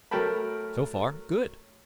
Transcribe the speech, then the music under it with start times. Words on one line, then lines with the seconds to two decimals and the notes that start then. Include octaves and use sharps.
So far, good!
0.11 F#3 A3 A#4 G5 A5 B5